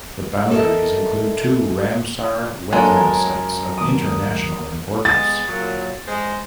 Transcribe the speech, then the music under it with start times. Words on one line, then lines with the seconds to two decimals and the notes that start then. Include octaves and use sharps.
The boundaries include two Ramsar wetland sites of international importance.
0.51 A4 A#4 C#5 D#5 E5
2.73 F#2 F#3 G#3 A#3 D4 A4 A#4
2.97 A#4 G#6
3.78 D#2 D6 D#6
5.05 G#3 B3 A6
5.48 A#2 F#3
6.08 G#3 C5